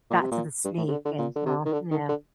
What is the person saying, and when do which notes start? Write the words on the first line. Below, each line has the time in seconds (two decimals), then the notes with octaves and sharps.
got to the snake and, well, yeah.
0.10 A#2
0.21 C3
0.31 A#2
0.64 G2
0.78 A2
0.87 C3
0.92 D3
1.05 D3
1.18 A#2
1.36 D3
1.46 C3
1.66 D#3
1.73 D3
1.91 D#3
2.09 D3